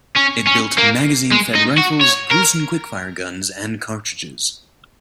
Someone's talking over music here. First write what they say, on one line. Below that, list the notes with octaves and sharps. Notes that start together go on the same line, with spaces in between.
It built magazine-fed rifles, Gruson quick fire guns, and cartridges.
C#4
C#4
A#3
G#3
D#4
F#4
C#5
A#4